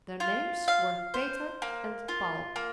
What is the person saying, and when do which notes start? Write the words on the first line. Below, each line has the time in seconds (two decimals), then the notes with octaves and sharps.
Their names were Peter and Paul.
0.20 F4
0.68 F5
1.14 C5
1.62 A#3
2.08 F4
2.56 A#3